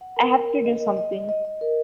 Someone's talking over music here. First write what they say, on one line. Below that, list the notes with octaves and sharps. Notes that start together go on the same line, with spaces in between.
I have to do something!
F#5
A#4
A#4
A#4
D#5
D#5
D#5
D#5
D#5
D#5
A#4